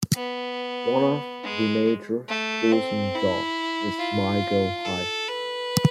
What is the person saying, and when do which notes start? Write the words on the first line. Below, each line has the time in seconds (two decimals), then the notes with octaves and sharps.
One of the major schools in Jos is Maygo High School.
0.15 B3
1.44 G#3
2.29 A3
2.72 C4
3.15 E4
3.99 F4
4.85 A4
5.28 B4